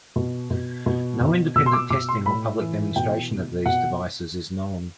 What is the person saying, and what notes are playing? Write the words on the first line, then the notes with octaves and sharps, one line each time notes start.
No independent testing or public demonstration of these devices is known.
B2
B2
B2
B2
B2 E6
C6
D6
B2 D6
C6
A2 B5
E3
B2 G5
B2
B2 F#5